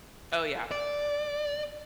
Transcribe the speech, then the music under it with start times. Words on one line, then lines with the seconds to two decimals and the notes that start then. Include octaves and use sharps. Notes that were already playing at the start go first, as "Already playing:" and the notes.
Oh, yeah.
0.71 D5